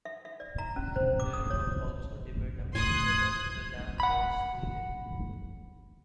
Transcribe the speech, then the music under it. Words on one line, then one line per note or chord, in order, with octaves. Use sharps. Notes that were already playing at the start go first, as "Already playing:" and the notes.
There was also debate about whether the dam was needed.
E5
E5
D5
A#5
C#4
C5
D6
D#6
C#5
A2 C6 D#6 F#6 G#6
F#5 B5